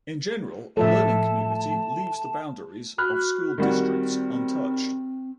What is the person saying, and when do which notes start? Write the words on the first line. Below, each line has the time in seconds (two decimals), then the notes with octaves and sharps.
In general, a learning community leaves the boundaries of school districts untouched.
0.77 A2 F3 A3 A4 E5 A5
2.98 F#4 B5 F6 F#6
3.58 D#3 G3 C4 F#4